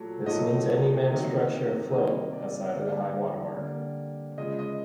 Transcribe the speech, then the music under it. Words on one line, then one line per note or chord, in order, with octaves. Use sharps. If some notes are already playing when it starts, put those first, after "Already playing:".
This means any manned structure afloat outside of the high-water mark.
Already playing: A#2 F#3 A3
A#2 F#3 A3 D#5
C3 D#3 F#3 A#3
C3 D#3 F#3 A#3 D#5
D5
D3 G3 A#3 D5
D3 G3 A#3
C#3 F3 G#3 D#5
D#5